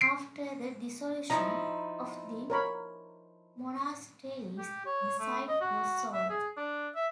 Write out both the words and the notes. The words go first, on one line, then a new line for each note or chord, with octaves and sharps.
After the Dissolution of the Monasteries the site was sold.
C7 D7
F3 D#4 E4 A#5
A#4 C#5 B5
G4
C#5
A3
D#5
F#4
E5
G#4
D4
E5